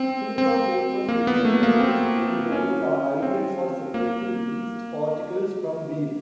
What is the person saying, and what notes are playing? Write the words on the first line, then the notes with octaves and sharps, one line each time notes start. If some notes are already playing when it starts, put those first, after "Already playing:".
Silicon wafers with micrometer-scale holes are ideal for separating yeast particles from beer.
Already playing: C4
C4
A#3
B3
A3
A#3
C4
C#4
C4
A#3